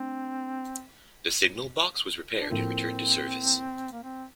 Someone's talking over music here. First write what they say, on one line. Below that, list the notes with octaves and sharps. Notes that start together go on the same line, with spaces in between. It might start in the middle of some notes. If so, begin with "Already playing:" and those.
The signalbox was repaired and returned to service.
Already playing: A3 C4 D4
D4
A2 F3 A#3 C4
A#3
C4